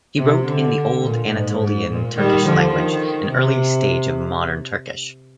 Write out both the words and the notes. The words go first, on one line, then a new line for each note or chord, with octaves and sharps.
He wrote in the Old Anatolian Turkish language, an early stage of modern Turkish.
C3
D3
A#2
G#2
G#2
A#2
D#3 G3
D3 F3
D#3
C3